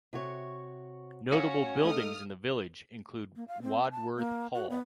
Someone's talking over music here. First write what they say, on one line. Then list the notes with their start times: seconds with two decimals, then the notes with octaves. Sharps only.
Notable buildings in the village include Wadworth Hall.
0.13 C3 F#4 C#5
1.32 C#4 F#4 C#5 F5
1.84 A3 D#4 A4 D#6 F6
3.36 A#3
3.48 F5
3.63 C4
3.91 A5
4.17 A#3
4.55 F#4
4.70 B3